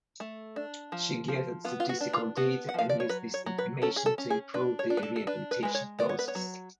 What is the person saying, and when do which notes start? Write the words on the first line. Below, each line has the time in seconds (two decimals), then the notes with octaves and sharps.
She gathered statistical data and used this information to improve the rehabilitation process.
0.20 A3
0.56 D4
0.92 F3
1.28 F3
1.64 B3 F4
1.80 F4
1.89 F#4
2.01 D4
2.13 F4
2.37 B3 F#4
2.69 F#5
2.74 F3 F5
2.89 D5
3.00 C#5
3.09 F#3 B4
3.34 C#5
3.46 F#3
3.58 B4
3.82 C#4 A4
3.96 G#4
4.06 A4
4.18 C#4
4.30 G#4
4.54 D4 B4
4.79 C#5
4.90 D4
4.97 B4
5.03 A4
5.16 A4
5.27 D4 B4
5.51 B4
5.63 G#3 B4
5.75 C#5
5.99 B3 D5
6.09 C#5
6.19 B4
6.28 C#5
6.35 F#3